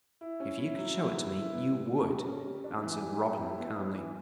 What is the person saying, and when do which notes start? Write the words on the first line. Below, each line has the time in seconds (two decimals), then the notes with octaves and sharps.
"If you could show it to me, you would," answered Robin, calmly.
0.21 E4
0.40 C#4
0.58 E4
0.77 F#3
0.96 E4
1.15 B3
1.33 E4
1.52 B3
1.70 G3
1.89 G3
2.08 G3
2.26 C#4
2.45 G3
2.64 D4
2.83 E3
3.01 G3
3.19 G4
3.38 E4
3.58 B3
3.76 B3
3.95 E3